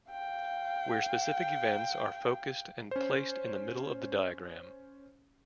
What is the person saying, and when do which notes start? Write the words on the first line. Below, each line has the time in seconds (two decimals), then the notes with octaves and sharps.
Where specific events are focused and placed in the middle of the diagram.
0.10 F5 G5
2.91 C#4 C5